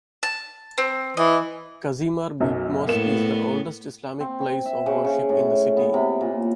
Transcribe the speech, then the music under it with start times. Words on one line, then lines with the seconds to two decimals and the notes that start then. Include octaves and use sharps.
Kazimar Big Mosque is the oldest Islamic place of worship in the city.
0.23 A5
0.78 C4
1.17 E3 D#5
2.40 B1 F#2 F#3
2.87 A2 A#3 B3 E7
4.20 C4
4.41 C4
4.65 E5
4.86 C#3
5.05 C#3
5.29 A2
5.77 B3
5.94 C3
6.21 A#2